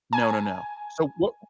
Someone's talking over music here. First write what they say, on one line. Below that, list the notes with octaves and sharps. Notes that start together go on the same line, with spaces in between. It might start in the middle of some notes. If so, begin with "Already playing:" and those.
No, no, no. So, wha
G#5